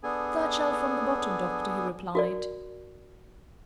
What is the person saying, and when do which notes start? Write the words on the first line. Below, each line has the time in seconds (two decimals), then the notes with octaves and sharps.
"Third shelf from the bottom, doctor," he replied.
0.03 B3 D4 G#4 A4 G#5
2.15 F#4 A#4 D5